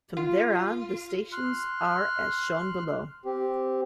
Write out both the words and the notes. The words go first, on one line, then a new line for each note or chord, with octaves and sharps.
From there on, the stations are as shown below.
F4
C6 F6 F#6
C4 G4